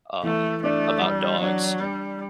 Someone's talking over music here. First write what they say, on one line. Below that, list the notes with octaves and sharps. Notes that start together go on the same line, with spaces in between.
um, about dogs,
E3 A3
A3 D4
G3 D4
F#3 D4
G3 D4